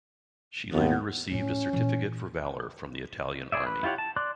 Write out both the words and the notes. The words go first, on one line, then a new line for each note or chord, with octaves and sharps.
She later received a certificate for valour from the Italian army.
D#2 B3
A2 C#4 F4
A#2 E3
G#4 D5 E5
B4
E4 F4 G4 C#5 F#5
A5
D5 C6 D6 F#6